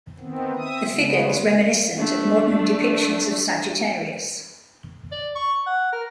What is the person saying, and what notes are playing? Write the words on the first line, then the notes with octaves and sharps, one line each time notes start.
The figure is reminiscent of modern depictions of Sagittarius.
D#3 B3 C4
C4 E5 D#6
C#3 G#3 B3
A3 D4
D5
C#6
F#5
A#4